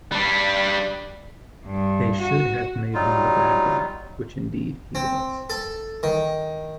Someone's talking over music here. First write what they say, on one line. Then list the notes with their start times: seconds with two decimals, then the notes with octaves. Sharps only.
They should have made him the bad guy, which indeed he was.
0.12 G3 D4
1.65 G2
2.20 F#4
2.94 F#3 G3 D#4 F4
4.95 C4
5.50 A4
6.03 D#3